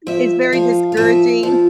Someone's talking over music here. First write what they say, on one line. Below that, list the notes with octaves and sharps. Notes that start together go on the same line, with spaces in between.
It's very discouraging.
F3 E5
E5
F3 F5
F5
F3 E5
F3